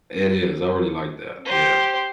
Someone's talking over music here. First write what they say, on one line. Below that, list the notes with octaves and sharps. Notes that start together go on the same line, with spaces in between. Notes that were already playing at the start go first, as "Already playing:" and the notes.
It is, I really like that, yeah.
G4 C5